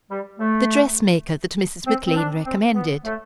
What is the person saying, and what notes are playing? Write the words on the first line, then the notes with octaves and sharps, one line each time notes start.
"The dress-maker that Mrs. McClean recommended?"
G3
A3
C4
C4
D4
C4
B3
A3